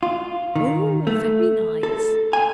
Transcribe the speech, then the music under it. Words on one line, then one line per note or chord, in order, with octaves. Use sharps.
Oh! very nice!'
F4
D#3
A3
A4
G#5